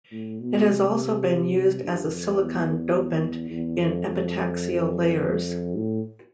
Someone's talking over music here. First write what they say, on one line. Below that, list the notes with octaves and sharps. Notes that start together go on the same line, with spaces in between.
It has also been used as a silicon dopant in epitaxial layers.
A2
B2
C3
G2
F2
E2
E2
F2
F2
A2